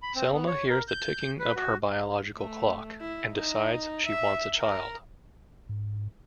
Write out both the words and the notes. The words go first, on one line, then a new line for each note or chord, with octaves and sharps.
Selma hears the ticking of her biological clock, and decides she wants a child.
B5
C4
B3
C#5
A#4
G6
B4
F#4
A3
E4
D#4
E5
A#4
G#2